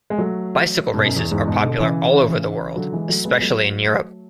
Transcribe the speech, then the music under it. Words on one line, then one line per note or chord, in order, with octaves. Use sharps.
Bicycle races are popular all over the world, especially in Europe.
G#3
F#3 A3
G#2 B2
F#2
E2
E2 G#2
G#2 B2
B2 D3
C#3 E3
D3 F#3
E3 G#3
F#3 A3
G#3 B3
F#3 A3